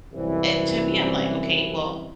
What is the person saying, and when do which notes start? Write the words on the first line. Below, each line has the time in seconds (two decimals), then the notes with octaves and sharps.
eh, to me, I'm like, "Okay, well"
0.13 C2 F#2 E3